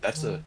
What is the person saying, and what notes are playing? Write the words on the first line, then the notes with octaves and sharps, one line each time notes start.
That's a
D#3